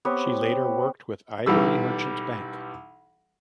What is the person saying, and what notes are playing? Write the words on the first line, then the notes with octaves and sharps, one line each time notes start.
She later worked with Ivory Merchant Bank.
B3 C4 G4 C#5
B1 E3 G3 E6